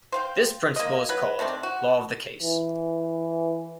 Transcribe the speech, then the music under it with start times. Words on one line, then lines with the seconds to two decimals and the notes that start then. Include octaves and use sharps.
This principle is called law of the case.
0.12 C5 F5 G5
0.76 A#3 D#5
1.09 F#3 B4
1.39 D#3 A3 C4 D4
1.63 F#4
2.41 E3